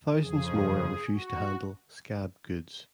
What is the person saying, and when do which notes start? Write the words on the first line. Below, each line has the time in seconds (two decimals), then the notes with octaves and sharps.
Thousands more refused to handle "scab" goods.
0.20 F2 C#3 F3 G#4
1.13 F#4